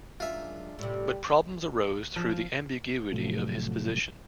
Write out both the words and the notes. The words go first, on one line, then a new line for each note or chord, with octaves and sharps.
But problems arose through the ambiguity of his position.
F#2 G#3 D4 F4 E5
A2 C3 G3
F3
A2 C3 F3 F#3 A3